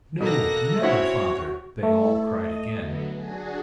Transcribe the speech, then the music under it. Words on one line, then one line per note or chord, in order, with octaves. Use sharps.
"No, never, father!" they all cried again.
B2 A#3 A4 F#6 A#6
C4 C#4 E4 F#4 C#5 F#5
A3 E4 A4
D#5
D3 F#3 B3
D4 F#4 G#4